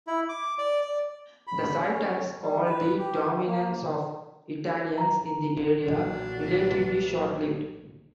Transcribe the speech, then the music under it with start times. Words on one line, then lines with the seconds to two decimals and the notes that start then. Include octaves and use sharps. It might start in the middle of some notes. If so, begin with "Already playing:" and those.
The site has called the dominance of Italians in the area, relatively short lived.
0.07 E4
0.29 D6
0.58 D5
0.82 D5
1.47 B5
1.79 C#4
2.42 G3
2.65 B4
2.98 G4
3.46 A#3
4.98 A#5
5.82 B1 A#2 E3 F#3 D4